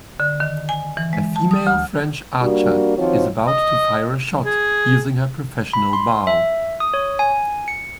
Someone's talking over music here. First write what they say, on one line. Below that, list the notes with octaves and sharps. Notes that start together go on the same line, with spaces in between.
A female French archer is about to fire a shot using her professional bow.
D3
D#3
G#5
E3
G#3
A5
D#6
D2
G3 A#3 D4 F#4
D#3 F3 C4 F#4 C#5
D#5
G#4
B5
C6
E5
D#6
C#5
G#5
C#7